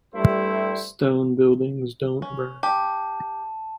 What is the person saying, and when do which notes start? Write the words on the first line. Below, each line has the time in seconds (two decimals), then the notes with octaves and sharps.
Stone buildings don't burn.
0.14 G2 G3 A3 E4 C5
2.22 C#4
2.63 G4 A5